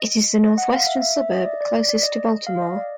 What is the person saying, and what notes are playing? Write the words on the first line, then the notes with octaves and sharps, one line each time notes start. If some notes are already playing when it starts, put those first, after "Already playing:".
It is the northwestern suburb closest to Baltimore.
Already playing: D#5
D#5
F#5
F5
E5
E5
E5
D#5
D5
D5
D5
D#5
F5
D#5
D5